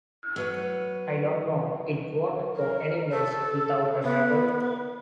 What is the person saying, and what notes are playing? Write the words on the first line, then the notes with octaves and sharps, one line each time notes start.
I don't know, it won't go anyplace without a rattle!
F#3 B4 C#5
A#4
A4
B3